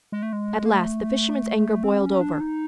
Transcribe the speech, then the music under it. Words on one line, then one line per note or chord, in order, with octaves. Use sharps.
At last the fisherman's anger boiled over.
G#3
A3
G#3
A#3
A3
C4
C#4
D4
D#4